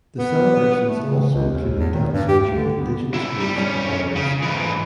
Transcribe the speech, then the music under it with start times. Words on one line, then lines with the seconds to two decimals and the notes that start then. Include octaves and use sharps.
The celebrations also included dance featuring indigenous groups and others.
0.19 B3
0.89 A3
1.02 C#3
1.34 C#2
1.50 D#2
1.79 E2
1.93 D#3
2.13 G2
2.29 G4
2.40 D2
2.56 D3
2.80 B3
3.14 G#2 E4
3.39 G3
3.55 B1 C#4
4.16 C#3
4.42 G#2 E3